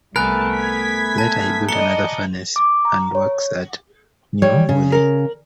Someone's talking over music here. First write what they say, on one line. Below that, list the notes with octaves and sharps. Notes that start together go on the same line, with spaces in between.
Later he built another furnace and works at New Willey.
C2 A3 B3 A#4 G#5 A5 B5 F#6
G#6 B6
A5
D5 D#5 A#5 C#7 G7
D6
A#5
C#5
G3 C#5
C#3
A#4